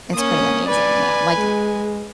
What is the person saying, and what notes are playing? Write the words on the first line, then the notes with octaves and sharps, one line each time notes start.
It's pretty amazing, you know, like,
A#3 C#4 D#6
B4 D5 G#5
G#3